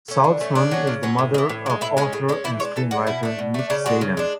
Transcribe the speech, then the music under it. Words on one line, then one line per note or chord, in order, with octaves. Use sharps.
Salzman is the mother of author and screenwriter Nick Sagan.
A3 C#4
D3
A3 C#4
C#3 D4
F#3 C#4
C#3
F#3 C#4
A2
G#3
E3
A2
E3
G#3
A2 E4
G#3 C#4 G#4
A2 G#4
G#3 C#4 D4
E3 E4
G#3 C#5
D4
E3 A4
G#3 D4 F#4
B2 E4
A3 D4
B2
A3 D4
C#3 D4
G#3 D4 F#4
C#3
G#3 D4